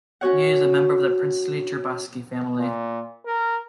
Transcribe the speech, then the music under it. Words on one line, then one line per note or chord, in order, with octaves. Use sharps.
He is a member of the princely Trubetskoy family.
C#4 F#4 C#5 F#5
A#2
A#4